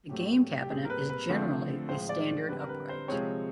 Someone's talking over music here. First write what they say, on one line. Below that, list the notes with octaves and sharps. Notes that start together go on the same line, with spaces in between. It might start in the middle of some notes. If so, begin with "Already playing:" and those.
The game cabinet is generally a standard upright.
A2 F#3 A3 C4 G4
G4
A#2 G3 C4 G#4
A#4
B4
B4
D3 F3 A3 C4
A2 F3 G#3 C5
D5
D3 G3 C4 B4
A#4
B4
C5
C3 F3 G#3 C4 C#5